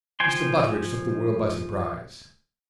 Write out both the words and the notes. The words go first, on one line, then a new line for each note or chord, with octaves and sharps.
Mr. Butteridge took the world by surprise.
F3 G5 G#5 C6